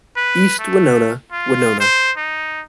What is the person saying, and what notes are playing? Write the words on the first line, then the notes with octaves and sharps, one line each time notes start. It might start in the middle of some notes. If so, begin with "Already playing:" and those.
East Winona - Winona.
B4
A3
F4
C5
D#4